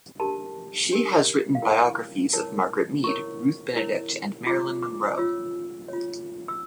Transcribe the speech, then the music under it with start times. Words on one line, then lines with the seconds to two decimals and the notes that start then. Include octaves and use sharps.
She has written biographies of Margaret Mead, Ruth Benedict and Marilyn Monroe.
0.20 D4 G4 A#4 A5
0.91 D4 G4 A#4
1.55 F5
1.62 E4 A#4 C#5 G5
2.33 E4 A#4 C#5 A5
3.04 E4 A#4 C#5 C#6
3.76 E4 A#4 C#5
4.46 F4 C#5 D6
4.82 D6
5.17 F4 C#5 E6
5.88 F4 C#5
6.48 E6